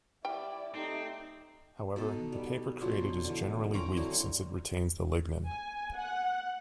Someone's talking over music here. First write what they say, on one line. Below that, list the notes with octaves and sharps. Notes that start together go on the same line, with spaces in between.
However, the paper created is generally weak since it retains the lignin.
G3 E4 D5 G5
A3 C4 D#4 G4
B2 D#4 A4
G3
B2 F3 F#3
D3 E3
C4 C#4 G5 A#5
D3 F#3 E4 C5
G#5
F#5